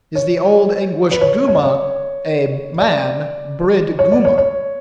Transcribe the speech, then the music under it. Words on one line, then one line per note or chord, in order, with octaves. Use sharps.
It is the old English "guma," a man, "bryd-guma."
C#5
B4
C#5
C#5
D5
C#5
D5
C#5
D5
C#5
C#5